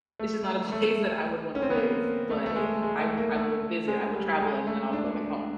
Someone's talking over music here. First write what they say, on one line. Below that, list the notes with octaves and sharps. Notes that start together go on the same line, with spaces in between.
it's just not a place that I would want to live, but I wi I will visit, I will travel and then I'll go back home.
A3
A3
C#4
C4
B3
A#3
A3
A3
G#3
G#3
A3
A#3
A3
G#3
G3
G#3
A3
D4